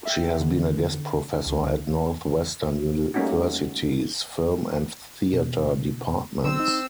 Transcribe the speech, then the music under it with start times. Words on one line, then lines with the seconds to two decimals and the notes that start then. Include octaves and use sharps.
She has been a guest professor at Northwestern University's film and theater departments.
0.05 E5 G5
0.40 D3
1.46 C#2 D3
3.14 G3 A3 A#3 C#4 D#4 F#4
5.34 B2
6.45 D3 C4 E6
6.60 D#4